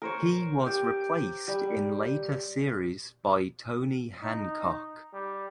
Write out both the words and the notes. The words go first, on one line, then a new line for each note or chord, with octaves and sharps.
He was replaced in later series by Tony Hancock.
A#4 C5 C#5
G4
G3
D#4
G3